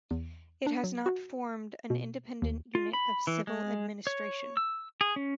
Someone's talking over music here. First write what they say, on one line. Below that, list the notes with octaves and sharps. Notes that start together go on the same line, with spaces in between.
It has not formed an independent unit of civil administration.
E2
D4
F#3
F#4
B2
D#2
F4
B5
E3
G#3
C#5
E6
G#4
C#4